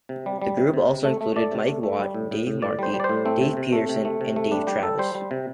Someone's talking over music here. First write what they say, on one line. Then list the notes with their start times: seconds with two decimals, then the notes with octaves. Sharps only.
The group also included Mike Watt, Dave Markey, Dave Peterson, and Dave Travis.
0.09 C3
0.26 G3
0.42 G3
0.57 C3
0.74 C3
0.88 C3
1.05 A3
1.21 A3
1.36 A3 D5
1.52 C3
1.68 A3
1.83 A3
1.99 G3
2.14 A2
2.31 A2
2.47 A2
2.62 A2 D5
2.79 G3 C5
2.94 G3
3.00 D5
3.04 C5
3.09 A2
3.25 A3 C4
3.41 C3
3.57 C3
3.73 A3
3.89 C3
4.05 A3
4.21 C3
4.36 A3
4.52 G3 D4
4.67 G3 G4
4.83 G3 A4
4.98 G3 C5
5.15 G3
5.31 C3